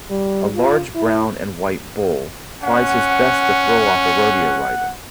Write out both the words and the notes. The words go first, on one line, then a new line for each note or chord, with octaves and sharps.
A large brown and white bull tries his best to throw off a rodeo rider.
G3
F4
E4
C#4 F#5